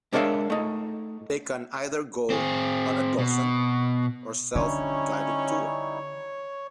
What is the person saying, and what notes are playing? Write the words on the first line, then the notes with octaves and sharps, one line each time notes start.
They can either go on a docent or self guided tour.
G#3 D4 A#4 C#5 E5 F5
A3 D#4
C4 G#4
B2
D3 G3 C#4 D#4 E4 C#5